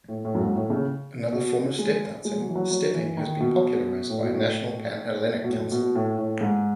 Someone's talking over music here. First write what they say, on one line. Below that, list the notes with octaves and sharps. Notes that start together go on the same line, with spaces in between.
Another form of step dancing, Stepping, has been popularized by National Pan-Hellenic Council.
A2
A2
F#2
G#2
A2
C#3
B2
G#3
G#3
F#3
E3
F#3
F#3
E3
D#3
B2
A2
B2
A2
B2
A2
B2
A2
A2
G#2